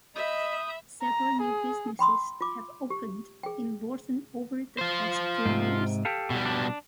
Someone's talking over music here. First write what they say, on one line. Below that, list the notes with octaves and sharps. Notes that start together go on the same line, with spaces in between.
Several new businesses have opened in Lorton over the past few years.
D#5 E5 B5 D#6 G6
A#5
G#4
G5 B5 C6 D#6
F4 D6
G4
G#4 G5
F4 C5
G#2 C3
G4 A4 F5
B2 G3
D4